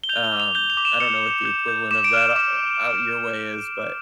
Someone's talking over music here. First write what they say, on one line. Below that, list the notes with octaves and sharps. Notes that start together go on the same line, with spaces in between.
Um, I don't know what the equivalent of that out out your way is, but,
G7
G6 F7
G7
D6
F7
G6 G7
F7
D6
E7
D6 C#7
D6
G6
G6
D6 E7
D7
F6 E7
D6 E7